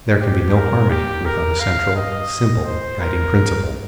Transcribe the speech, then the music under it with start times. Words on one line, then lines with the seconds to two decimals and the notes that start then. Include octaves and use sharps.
There can be no harmony, without a central, simple, guiding principle.
0.20 G4
0.55 A#4
0.90 G4
1.25 A#4
1.60 F5
1.96 D#5
2.66 C5
3.01 A#4